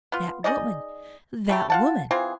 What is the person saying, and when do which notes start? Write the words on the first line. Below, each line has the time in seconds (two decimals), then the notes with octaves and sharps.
"That woman--that woman!"
0.12 B3 F4
0.44 D#4 G#4 D5 D#5
1.49 G3 A3 G4
1.70 F4 F#5 A5
2.11 E3 C4 F4 G#4